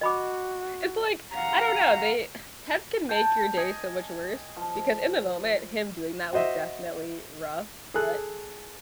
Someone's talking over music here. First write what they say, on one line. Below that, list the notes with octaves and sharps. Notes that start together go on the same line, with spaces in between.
it's like I don't know, they uh, pets can make your day so much worse because in the moment, him doing that was definitely rough, but
F#4 D#5 B5 D6
F5 F#5 A#5
G5 A5
D#5 G#5
F3
F#4 C5 D#5 E5
G#4 A4 F#6